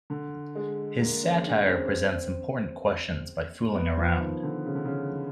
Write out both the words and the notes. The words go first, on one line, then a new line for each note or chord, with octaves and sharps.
His satire presents important questions by fooling around.
D3
G#3
A#3
C#4
D4
C#4
C4
B3
F3
D#3
D3
C#3
D3
C#3